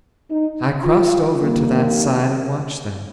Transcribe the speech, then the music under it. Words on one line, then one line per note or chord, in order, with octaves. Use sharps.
I crossed over to that side and watched them.
D#4
F4
F2 D#3 G3 A#3
G4